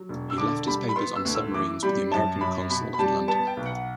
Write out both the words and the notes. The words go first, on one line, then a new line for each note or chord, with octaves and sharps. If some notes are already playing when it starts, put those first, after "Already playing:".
He left his papers on submarines with the American consul in London.
Already playing: F#3
E1
E6
D3 D6
G3 B5
B5
B3 C6
E6
D2
E6
E3 D6
G3 B5
F#2 A5
F#2 B5
B2 B5
B5
G3 A5
B3 A5
G5
B1
F#5